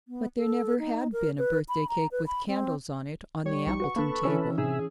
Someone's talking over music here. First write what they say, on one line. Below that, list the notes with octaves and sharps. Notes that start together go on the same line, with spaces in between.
But there never had been a birthday cake with candles on it on the Appleton table.
B3
A4
D#4
A#4
B4
B5
A#5
B4
B5
C4
G3 C#5
B1 F3 D#4 C#6
F#4 B4 F#5
A#3 D4 A4 B4
E3 C#4 E6
A2 C3 D#4 G#4 E5